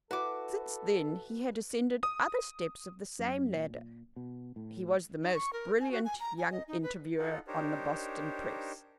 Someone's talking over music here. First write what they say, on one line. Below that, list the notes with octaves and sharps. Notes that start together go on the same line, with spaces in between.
Since then he had ascended other steps of the same ladder; he was the most brilliant young interviewer on the Boston press.
E4 F#4 A4 B4 D6
D#6
F#2
A#2
B2
A2
D#4
C#6
A#4
G#5
F#4
G#5
A#5
G#5
D#5
D#4
B4
D#4 F4 A4 F#5
D4 D#4 G4 A#4 C5 C#5